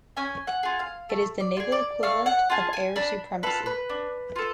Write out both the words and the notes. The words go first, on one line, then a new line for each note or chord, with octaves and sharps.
It is the naval equivalent of air supremacy.
C#4 G#5
F#5
F4 G#4
F5
A3
D5
F4
G#4
D5
A3 F5
F#5
F4 G#4 A5
G#5
D4 B5
F4 A4 B4
B4
D4
F4 A4